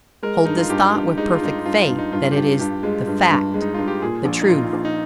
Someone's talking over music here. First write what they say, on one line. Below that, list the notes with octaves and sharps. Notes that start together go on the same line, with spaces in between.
Hold this thought with perfect faith that it is the fact, the truth.
G#3 A#4
G2 D#4
F4
G2 G4
G2
G#3 D#4
F4
G2 D#4
G2 F4
G2
D#4
G2 F4
G4
G2 F4
G2 G4
G#3 F4
G2
G2
G#3
D#4
G2 F4
G4
A#2 G#4
A#1
D#4
A#2 F4
A#1
D#4